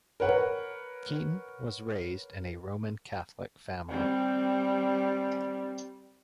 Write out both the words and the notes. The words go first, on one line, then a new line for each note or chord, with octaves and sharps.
Keaton was raised in a Roman Catholic family.
A#4 B4 C#5 F#5
G3 C4